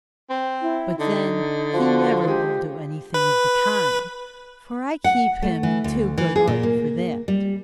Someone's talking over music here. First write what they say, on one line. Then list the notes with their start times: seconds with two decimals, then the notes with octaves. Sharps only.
But then he never will do anything of the kind; for I keep him in too good order for that.'
0.30 C4
0.62 E4
0.99 D3 D#4
1.74 F3 F#4
2.27 G#3 G4
3.14 B4
5.04 F#5
5.42 A3
5.63 E3
5.84 D2
6.18 E3
6.36 G#4
6.47 A#2
6.63 A#3
7.28 G3